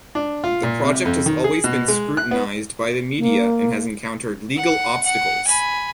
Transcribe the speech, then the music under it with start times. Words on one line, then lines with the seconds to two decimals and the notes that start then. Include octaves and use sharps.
The project has always been scrutinized by the media and has encountered legal obstacles.
0.15 D4
0.44 F4
0.63 A#2
0.84 C3
1.06 F2
1.26 D#3
1.44 G#4
1.64 B2
1.88 G#3
2.17 F#6
2.31 B3
3.18 A#3
4.56 F#5
5.05 F#5
5.46 G#5 B5